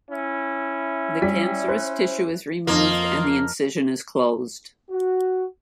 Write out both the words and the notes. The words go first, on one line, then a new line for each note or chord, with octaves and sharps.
The cancerous tissue is removed and the incision is closed.
C#4 E4
G3 B6
C5 F#6
F2 A#3 F4 D#5
F#4